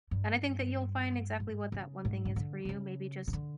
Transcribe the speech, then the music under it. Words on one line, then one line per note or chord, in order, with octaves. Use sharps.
and I think that you'll find exactly what that one thing is for you. Maybe just
G2
G#2
C#3
G#2
C#3
D3
D3
C#3
C#3
D3